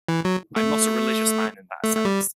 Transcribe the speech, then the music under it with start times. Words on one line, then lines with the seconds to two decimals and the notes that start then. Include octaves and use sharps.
I'm not a religious man in that sense.
0.08 E3
0.25 F#3
0.56 A3
1.84 A3
1.96 A3
2.05 G3